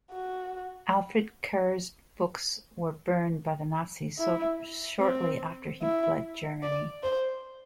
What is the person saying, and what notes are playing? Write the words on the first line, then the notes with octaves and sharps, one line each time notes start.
Alfred Kerr's books were burned by the Nazis shortly after he fled Germany.
F#4
E4
C4
E4
D5
C5